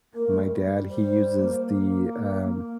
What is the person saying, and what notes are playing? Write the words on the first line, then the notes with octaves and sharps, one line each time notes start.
my dad, he uses the, um,
A#3 A#4
A3
G3
C5
A#3
A#3